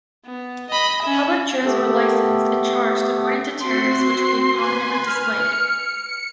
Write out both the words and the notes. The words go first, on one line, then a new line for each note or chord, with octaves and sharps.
Public chairs were licensed, and charged according to tariffs which would be prominently displayed.
B3
D#5 B5
C#4 E5
A3 B3 G4 A4
C4 F#4 C6 C7
B4 G#5
F6
C#7